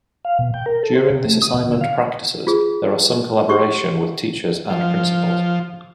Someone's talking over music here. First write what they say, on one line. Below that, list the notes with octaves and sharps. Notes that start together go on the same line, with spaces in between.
During this assignment practices, there are some collaboration with teachers and principals.
F5
B2
G5
A#4
A4
C5
C3
A3
D#6
B2
D3
F5
F4 G#4
G4 C6 C#6
F3